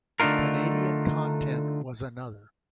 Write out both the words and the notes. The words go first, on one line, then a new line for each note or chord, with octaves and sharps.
Canadian content was another.
D3 A3 D4 D#4 F4 A#4